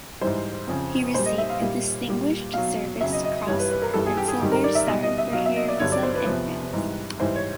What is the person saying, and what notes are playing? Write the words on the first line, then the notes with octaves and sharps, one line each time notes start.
He received the Distinguished Service Cross and Silver Star for heroism in France.
G#2 E3 G3 C5
F2 C#3 F3
A#2 G3 C5
D#5
E5
F5
A#2 G3
A#2 G3
B2 F#3 F5
F2 C#3 F#3 E5
D#5
D#5
G2 E3 G3 C#5
B4
B4
A#4
G2 E3 G3 A4
G#4
G4
G#4
G#2 D#3 G3
A#4
D5
E5
B2 G3 D#5
D#5
E5
B2 F#3 F5
E5
D#5
D5
G2 D3 F#3 C#5
D5
C5
B4
E2 C3 F3
G#2 E3 G3
G#2 E3 G3 C5
C#5